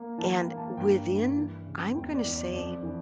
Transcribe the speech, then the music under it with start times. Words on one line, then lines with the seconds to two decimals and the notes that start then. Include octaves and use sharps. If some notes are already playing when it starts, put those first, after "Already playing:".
And within, I'm gonna say,
Already playing: A#3
0.18 E3 A5
0.38 G5
0.48 A#3
0.57 A5
0.77 G2 G5
1.06 G2
1.36 E3
1.66 C#3
1.94 E2 G5
2.15 D5
2.24 E2
2.34 D5
2.53 F2 D5
2.83 E3